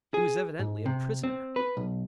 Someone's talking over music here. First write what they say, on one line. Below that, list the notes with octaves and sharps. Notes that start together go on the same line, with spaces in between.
He was evidently a prisoner.
G#4
G#2
C3
C4
B4
B1